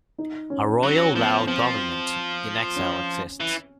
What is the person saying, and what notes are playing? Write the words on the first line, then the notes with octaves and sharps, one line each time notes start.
A Royal Lao Government in Exile exists.
D#4
C#4
F#3 C#4
F3 B3
F3 C4
C#4
E3